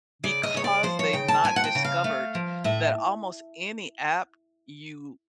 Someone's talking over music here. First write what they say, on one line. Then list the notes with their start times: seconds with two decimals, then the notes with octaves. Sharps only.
because they've not discovered that almost any app you
0.24 C#3 D5
0.43 D#5
0.54 C#3 C#5
0.64 D5
0.83 F3 C5
0.99 C#5
1.13 C#3 G5
1.28 A5
1.44 F3 G#5
1.56 F#5
1.64 G5
1.75 C#3
1.84 F5
2.04 A3
2.35 F3
2.64 A2 E5